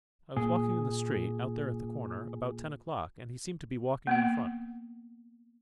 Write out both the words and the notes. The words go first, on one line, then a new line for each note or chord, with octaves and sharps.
I was walking in the street, out there at the corner, about ten o'clock and he seemed to be walking in front.
A#2 G#4
A#3 B3 F#5